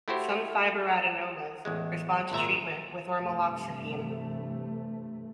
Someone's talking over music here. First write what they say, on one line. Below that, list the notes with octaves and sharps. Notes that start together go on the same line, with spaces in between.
Some fibroadenomas respond to treatment with ormeloxifene.
A3 E4 F#4 G4 C5
A1 E2 G#3
G#1 A#2 E5 A#5
G2 C3 E3 A3